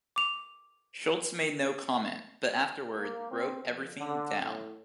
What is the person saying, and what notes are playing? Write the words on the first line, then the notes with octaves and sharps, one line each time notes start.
Schultz made no comment, but afterward, wrote everything down.
D6 F7
A#3
C4
F2
D3
A2